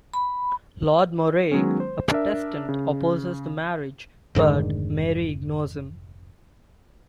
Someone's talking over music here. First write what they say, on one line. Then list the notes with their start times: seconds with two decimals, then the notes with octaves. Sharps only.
Lord Moray, a Protestant, opposes the marriage, but Mary ignores him.
0.14 B5
1.51 D#3 F#3 G#3 B3 C#4
1.80 C5
2.11 D4 A#4 E5
2.69 C#3
4.35 F1 G#2 D3 D#3